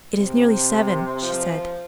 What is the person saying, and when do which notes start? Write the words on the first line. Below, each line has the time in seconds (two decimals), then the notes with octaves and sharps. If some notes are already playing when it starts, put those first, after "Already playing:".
'It is nearly seven,' she said.
0.17 C3
1.22 F3